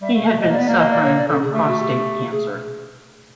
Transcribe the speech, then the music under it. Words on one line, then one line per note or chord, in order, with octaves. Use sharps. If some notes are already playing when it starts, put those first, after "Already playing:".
He had been suffering from prostate cancer.
G3 E5
A3 F5
A3 E5
D#5
A#3
D5
B3
A#3 D5
D#5
D5
C#5
D5
A4
G#4
A3 G4
F#4
G4
G#4